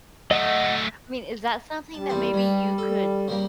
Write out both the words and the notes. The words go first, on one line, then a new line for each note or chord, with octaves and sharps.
I mean, is that something that maybe you could
F#3 A3 D#5 F#5 D#6
G3 A5
E2 C4 A5
G2 B5
A4
C#3 G3 A#3